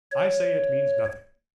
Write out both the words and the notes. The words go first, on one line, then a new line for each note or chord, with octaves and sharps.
'I say it means nothing.
C#5